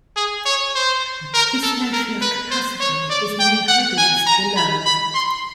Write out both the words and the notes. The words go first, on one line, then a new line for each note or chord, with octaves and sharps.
This notion of capacity is made rigorous below.
G#4
C#5
C5
A#4
A4
A#4
B4
C5
C#5
D5
G5
F#5
G#5
A#5
B5
B5
C6